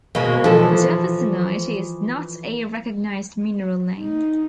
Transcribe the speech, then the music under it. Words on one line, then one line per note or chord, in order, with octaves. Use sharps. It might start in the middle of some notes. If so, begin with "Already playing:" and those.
Jeffersonite is not a recognized mineral name.
B2 G#3 A#3
E3 F3 A4
D#4